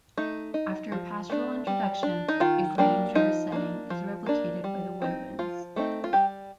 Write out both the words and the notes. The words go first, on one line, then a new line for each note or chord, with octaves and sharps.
After a pastoral introduction, the Grainger setting is replicated by the woodwinds.
A3 D#4
D#4
F3
A3 D4
G3
D4
D#4
D#3 F4
G3 A#3 D4
F3 D#4
A#3 D4
F3
A#3 D4
G3
C4 D#4
F3 F4
A3 C4 D#4
F4
G3 G4